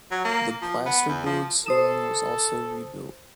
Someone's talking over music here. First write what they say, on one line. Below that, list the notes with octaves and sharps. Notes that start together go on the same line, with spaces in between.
The plasterboard ceiling was also rebuilt.
F#3
A#3
F3
B3
E2
F3
A4 C5 D#6 E7